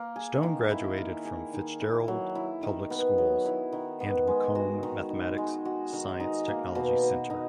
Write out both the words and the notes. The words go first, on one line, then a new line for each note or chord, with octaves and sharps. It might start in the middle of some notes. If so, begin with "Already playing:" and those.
Stone graduated from Fitzgerald Public Schools and Macomb Mathematics Science Technology Center.
Already playing: A#3
G#4
D#3
E4
A#3
G#4
D#3
E4
F#3
E4
D#3
B3
F#3
E4
D#3
B3
G#3
F#4
D#3
D#4
G#3
F#4
D#3
D#4
A#3
B2
B2
D#4